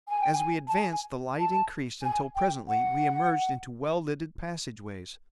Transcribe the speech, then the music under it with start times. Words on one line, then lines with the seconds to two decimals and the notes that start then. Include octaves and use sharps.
As we advanced the light increased until presently we emerged into well-lighted passageways.
0.08 G#5
0.21 G5
0.33 G#5
0.69 A5
0.73 G#5
1.38 A5
2.03 G#5
2.35 G5
2.68 F#5